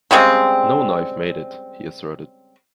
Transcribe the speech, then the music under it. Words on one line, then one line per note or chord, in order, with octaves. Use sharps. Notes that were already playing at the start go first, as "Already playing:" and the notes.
"No knife made it," he asserted.
C#3 G3 G#3 C4